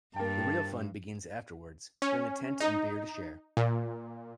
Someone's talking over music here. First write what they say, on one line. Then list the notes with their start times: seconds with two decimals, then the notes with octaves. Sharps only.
The real fun begins afterwords, bring a tent and beer to share.
0.16 G2 A#3 G5 A5
2.02 C#4
2.60 D#4
3.57 A#2